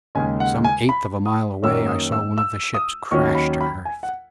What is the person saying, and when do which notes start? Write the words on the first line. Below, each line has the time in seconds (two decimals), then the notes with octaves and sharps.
Some eighth of a mile away I saw one of the ships crash to earth.
0.15 D#2 C#3 G#3 G#5
0.40 F#5
0.64 G#5
0.89 B5
1.26 D#6
1.62 F#2 D#3 A#3 C#4 E6
1.88 D#6
2.12 E6
2.38 E6
2.74 D#6
3.11 D#2 D#3 F#3 C#4 C#6
3.35 B5
3.61 B5
3.85 G#5
4.03 F#5